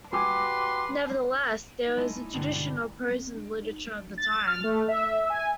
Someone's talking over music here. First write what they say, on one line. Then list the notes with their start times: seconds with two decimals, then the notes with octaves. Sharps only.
Nevertheless, there was a tradition of prose in the literature of the time.
0.13 F#4 G4 B4 G#5 C6 D6
1.96 G#3 D4 E4 D#5
2.33 G2 B2 D3 G#3
2.52 B2 D4
4.18 A6
4.47 F6
4.64 A3
4.88 E5
5.30 G#5